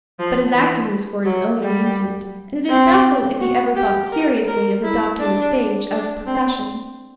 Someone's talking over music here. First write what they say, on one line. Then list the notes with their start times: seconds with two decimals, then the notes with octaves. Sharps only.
But his acting was for his own amusement, and it is doubtful if he ever thought seriously of adopting the stage as a profession.
0.20 F3
0.54 E3
1.26 F#3
1.62 G3
2.70 C4
3.41 F#4
3.76 G4
4.12 A#4
4.48 A#4
4.84 E4
5.20 D4
5.91 D4
6.26 C4